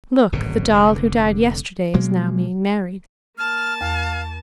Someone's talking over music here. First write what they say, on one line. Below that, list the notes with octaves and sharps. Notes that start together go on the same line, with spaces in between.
Look, the doll who died yesterday is now being married....
D1 G#1 F#2 B2
F1 D3
B2 F#3 G#3 A#3
A#3 A5 F6
E2 F5